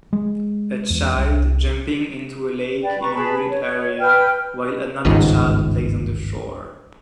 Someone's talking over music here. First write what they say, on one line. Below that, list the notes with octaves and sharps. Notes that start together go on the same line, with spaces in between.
A child jumping into a lake in a wooded area while another child plays on the shore.
G#3
E2
C2
B4 D5 G5
B4 A#5 C#6
G#4 B4 A5 B5
C#5
B4 G5 F6
G1 C#2 G#2 D#3